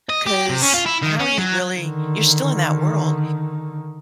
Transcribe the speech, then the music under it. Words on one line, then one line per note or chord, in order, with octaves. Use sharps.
'cause how are you really you're still in that world
D#5
G4
C3
C#4
F4
E4
D#3
C#4
F#3
D3 D#3